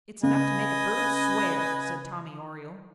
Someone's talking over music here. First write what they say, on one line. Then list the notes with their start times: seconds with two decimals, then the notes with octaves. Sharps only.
"It's enough to make a bird swear," said Tommy Oriole.
0.23 C#3 B4 D#5 G#5